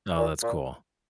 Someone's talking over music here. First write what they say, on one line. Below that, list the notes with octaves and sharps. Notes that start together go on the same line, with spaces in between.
Oh, that's cool.
A#2
A#2